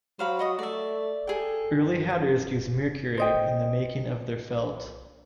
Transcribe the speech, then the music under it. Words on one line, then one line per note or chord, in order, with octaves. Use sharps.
Early hatters used mercury in the making of their felt.
F#3 C5 F5 B5
F#4 D#5 D#6
A3 D5 E5
G#4 A4 G5
C5 D#5 G5